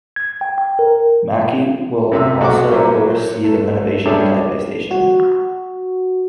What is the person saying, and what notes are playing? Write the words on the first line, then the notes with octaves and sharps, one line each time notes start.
Maki will also oversee the renovation of Taipei Station.
G#6
G5
A#4
F#2 C3 E5 E6
B1 F#4 F#5 C#6 D6
F#3 A#3 C#4 C5 E5
A3
G3 A3 C#4 D4 E4 G#4
F#4